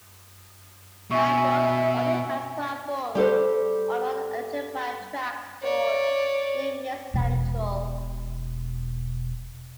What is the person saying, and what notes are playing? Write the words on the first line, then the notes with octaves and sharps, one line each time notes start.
Hyde North only has platforms on the non-electrified tracks towards New Mills Central.
B2 E5 G#5 C#6
G3 G4 A4 C5
C#5 D5
E1 B2